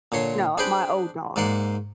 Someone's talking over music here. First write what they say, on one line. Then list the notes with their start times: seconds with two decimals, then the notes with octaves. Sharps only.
No, my old dog.
0.12 A#2 D3 C#5 C6
0.58 D4 G#4 B4 C5 G5 B5
1.36 G#2 A#3 D5 F#5 C6